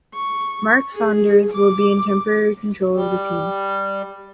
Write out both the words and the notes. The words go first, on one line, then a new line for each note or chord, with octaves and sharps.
Mark Saunders will be in temporary control of the team.
C#6
G#4
D6
G3